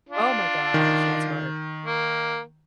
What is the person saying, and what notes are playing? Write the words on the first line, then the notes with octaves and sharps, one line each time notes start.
Oh my gosh. That's hard.
D4 F4
D#3
A#3